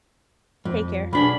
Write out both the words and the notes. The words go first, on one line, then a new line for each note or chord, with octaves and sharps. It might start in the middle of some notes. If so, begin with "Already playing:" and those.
Take care.
F2
B1 D4 G#4 B5